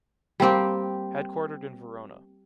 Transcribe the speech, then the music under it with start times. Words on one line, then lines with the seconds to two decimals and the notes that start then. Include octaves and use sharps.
Headquartered in Verona.
0.40 G3 A#3 C4 G4